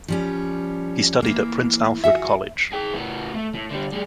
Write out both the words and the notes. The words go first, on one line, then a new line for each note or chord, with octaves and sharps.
He studied at Prince Alfred College.
F3 G3 C#4
E3 A#3
F4 F#4 G#4 E5
G#4 G5
A2 B3
A3
A2
D3 G3
G3 G#4